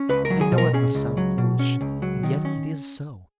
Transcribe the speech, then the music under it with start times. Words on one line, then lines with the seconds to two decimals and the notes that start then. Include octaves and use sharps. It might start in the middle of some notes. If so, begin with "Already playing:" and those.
'I know it must sound foolish, and yet it is so.'
Already playing: C#4
0.09 C#2 B4
0.25 A#4
0.30 F#3
0.41 G#4
0.52 B2
0.58 A#4
0.73 C#4 G#4
0.95 C#2
1.17 F#3
1.38 B2
1.59 C#4
1.81 C#2
2.02 F#3
2.23 D#3
2.45 C#4